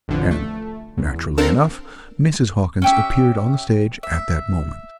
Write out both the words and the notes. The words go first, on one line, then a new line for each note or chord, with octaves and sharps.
And naturally enough Mrs. Hawkins appeared on the stage at that moment.
A1 F2 D3 F3
A3
E2
C4 D4 A4 A#4 F5 A5
C#4 G4 E5
E5